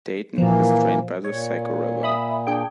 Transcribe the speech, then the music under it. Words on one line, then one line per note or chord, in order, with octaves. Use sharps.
Dayton is drained by the Saco River.
A#2 E3 F3 A#3
A#2 C#5
E5 B5 D#6
D4 G#4 G5